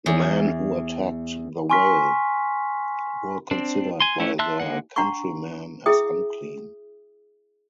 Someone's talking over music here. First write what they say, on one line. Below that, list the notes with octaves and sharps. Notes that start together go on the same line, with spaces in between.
The men who attacked the whale were considered by their countrymen as unclean.
E2
G#5 C6 C#6 F6 B6
C4 D4
G#5 C6
E3 A3 C#4 E4
E5 A5 C6 E6 F#6
D3 G#3 A#3 F#5
D4 F#5 A#5 C6 C#6
E4 G#4 E5 G5 D#6